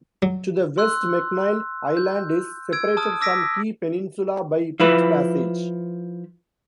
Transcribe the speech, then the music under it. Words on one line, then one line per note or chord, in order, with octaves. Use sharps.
To the west McNeil Island is separated from Key Peninsula by Pitt Passage.
F#3
C6 E6 F#6
G6
E6 G#6 D7
A5 D#6 F6
D6 E6 A#6 B6 D7
F3 E4 B4